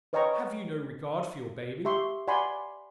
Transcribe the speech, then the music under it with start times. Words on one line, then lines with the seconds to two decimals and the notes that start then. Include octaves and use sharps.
Have you no regard for your baby?'
0.13 B4 C#5 D#5 G5 A#5 C#6
1.85 G4 E5 C6 C#6
2.28 D5 F#5 G#5 B5 C6